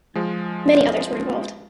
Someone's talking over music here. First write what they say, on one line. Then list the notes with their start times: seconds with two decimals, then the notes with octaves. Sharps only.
Many others were involved.
0.15 F3 G#3